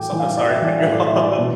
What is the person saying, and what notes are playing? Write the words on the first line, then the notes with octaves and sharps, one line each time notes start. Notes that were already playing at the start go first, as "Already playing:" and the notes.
So, uh, sorry, cut you off.
Already playing: A2 E3 G5 D6
E3
F5
A2 D5
E5
E3 D5
E5
A2
D5
E5
E3
D5
B2